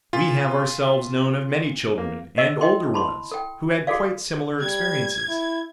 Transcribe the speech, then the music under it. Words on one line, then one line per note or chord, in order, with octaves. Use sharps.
We have ourselves known of many children and older ones who had quite similar experiences.
A#2 F4
A#3
D#5 E6
E4 D#5 G5 G#5 C6
A5 B5 C6
A4 G5
F#4 G#4 A4 D5 F5
G3 G#6
E4